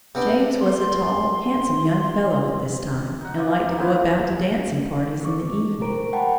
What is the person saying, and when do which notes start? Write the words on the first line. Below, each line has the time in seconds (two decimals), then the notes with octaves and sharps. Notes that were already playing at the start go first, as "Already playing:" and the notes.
James was a tall, handsome young fellow at this time, and liked to go about to dancing-parties in the evening.
0.15 C3 B3 D4
0.60 C6
3.21 D#4 F#5
3.38 D#4 F4 D5
3.77 F3 B3 D#4 E4
5.23 D#4 C#6 D6
5.81 G4 A#4 C5 A#5 D7
6.13 A#4 F#5 G5 A5 B5